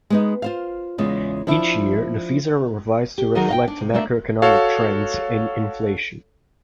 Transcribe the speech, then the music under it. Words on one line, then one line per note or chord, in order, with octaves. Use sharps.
Each year, the fees are revised to reflect macroeconomic trends in inflation.
G#3 B3 D#4
F4 C5 F5
E2 C#3 G#3 F4
F3 D4 E4
G4
D#3 F#3 D#4 F#4 G#4 A#4
D#5 F5 G5
D4
C3
A3 A#3 D4 D5 E5
F#4 A4 C#5 F5